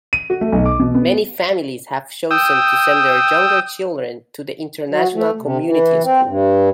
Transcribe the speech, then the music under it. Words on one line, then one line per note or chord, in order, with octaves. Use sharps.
Many families have chosen to send their younger children to the International Community School.
D#7
F#4
A3
B1
D6
B2
B3
G5 D#6 E6
F#3
A3
C3
E3
C4
G2